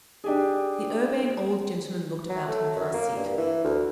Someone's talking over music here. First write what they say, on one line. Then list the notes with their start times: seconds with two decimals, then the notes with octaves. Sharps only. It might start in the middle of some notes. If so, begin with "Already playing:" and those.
The Urbane Old Gentleman looked about him for a seat.
0.24 D4 G4 G#4
2.29 F#3
2.48 A3
2.76 F#2
2.94 A#3
3.17 G2
3.38 E3
3.64 D2